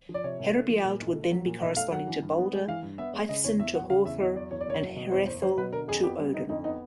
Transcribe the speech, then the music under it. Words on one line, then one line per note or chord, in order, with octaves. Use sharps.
Herebeald would then be corresponding to Balder, Hæþcyn to Höðr and Hreðel to Odin.
F3
D5
C3 C#5
C2
A3
F3
A#2
B1
A3
F#3
A#2
B1 D#5
A3 F5
F#3 F#5
E3
G2
B3
G#3
E3 F5
G2
B3 E5
G#3
C#3 D#5
E2 C#5
E2 E5
F#3 F#5
C#3 F5
E2 E5
E2 D#5
F#3 D5
E2 C#5
D5
F#1 C#5
F#3
B2
E2 C5
F#1 C5
F#3 C5
B2 B4
D3 A#4
F2 G#4
B3 G4
G3
D3 D#4
F2 D#4
B3 D#4